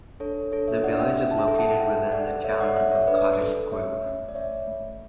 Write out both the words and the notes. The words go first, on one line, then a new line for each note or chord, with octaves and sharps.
The village is located within the Town of Cottage Grove.
D4 A4 C#5
D4 A4 C#5
C#5 E5
D4 D5 F#5
E5 G5
D4 E5 G5
A5
E5 G5
A4
F#5 A5
A4 E5 G5
A4 D5 F#5
A4 C#5 E5
D5 F#5
A4 C#5 E5
C#5 E5
D4 B4 D5
A4
A3 C#5 E5
C#4
D5
C#4 C#5 E5
A3